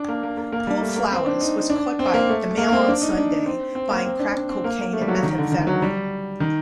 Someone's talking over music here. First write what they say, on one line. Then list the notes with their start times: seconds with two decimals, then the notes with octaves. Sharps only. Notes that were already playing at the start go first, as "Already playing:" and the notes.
Paul Flowers, was caught by the "Mail on Sunday" buying crack cocaine and methamphetamine.
Already playing: D4
0.08 A#3
0.23 A#3
0.37 A#3
0.52 A#3
0.67 G3
0.81 A3
0.96 A#3
1.11 C4
1.26 D4
1.41 D#4
1.70 D4
1.99 C4
2.14 A#3
2.29 A3
2.57 A#3
2.69 A#3
2.73 C4
2.88 D4
3.02 D#4
3.17 D4
3.46 C4
3.75 C4
3.91 A#3
4.05 C4
4.20 D4
4.34 D4
4.49 C4
4.64 A#3
4.81 A#3
4.93 A3
5.01 G3
5.08 F#3
5.23 D#3
5.38 D3
5.52 D#3
5.67 F#3
5.82 G3
6.40 D#3